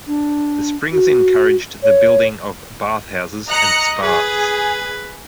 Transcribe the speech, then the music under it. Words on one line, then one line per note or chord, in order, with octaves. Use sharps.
The springs encouraged the building of bathhouses and spas.
D4
F#4
C#5
D#5 A#5 F#6 C#7
G#4 B4